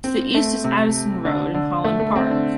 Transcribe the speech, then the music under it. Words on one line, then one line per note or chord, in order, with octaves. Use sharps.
To the east is Addison Road and Holland Park.
C4
A3
C3
D3
D3
A3
A3
C4
D3